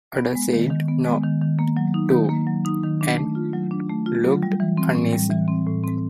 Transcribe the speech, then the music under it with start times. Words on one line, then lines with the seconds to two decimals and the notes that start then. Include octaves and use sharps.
Ada said no, too, and looked uneasy.
0.18 B3
0.35 G#3
0.53 D#3
0.70 D#3
0.88 B3
1.06 G#3
1.23 D#3
1.42 D#3
1.59 A#3
1.77 F#3
1.94 D#4
2.11 D#3
2.29 A#3
2.47 F#3
2.65 D#4
2.83 D#3
3.01 D4
3.18 A3
3.35 F4
3.53 F#3
3.71 D4
3.89 A3
4.06 F4
4.24 F#3
4.43 G3
4.60 E3
4.77 C4
4.95 A2
5.13 G3
5.30 E3
5.48 C4
5.66 A2
5.84 C4